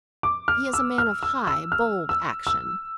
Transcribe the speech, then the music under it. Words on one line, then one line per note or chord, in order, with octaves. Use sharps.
He is a man of high, bold action.
D6
F6
E6
F6
E6
E6
F6
E6
E6